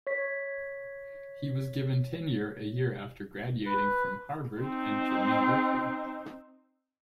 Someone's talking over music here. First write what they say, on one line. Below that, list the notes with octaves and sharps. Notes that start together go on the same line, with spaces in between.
He was given tenure a year after graduating from Harvard and joining Berkeley.
C#5 B6
B4
C4 D#4